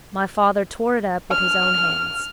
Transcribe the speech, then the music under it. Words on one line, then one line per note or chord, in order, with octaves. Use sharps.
My father tore it up with his own hands.
F6